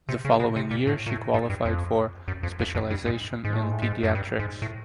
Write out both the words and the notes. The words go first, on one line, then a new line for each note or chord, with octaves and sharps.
The following year she qualified for specialization in pediatrics.
C3
C#3
B2
C3
A#2
A2
A#2
A2
G#2
G2
F2
F#2
F2
F2
F2
G2
G#2
G#2
A2
G#2
A2
G#2
F#2
G2
G#2
A2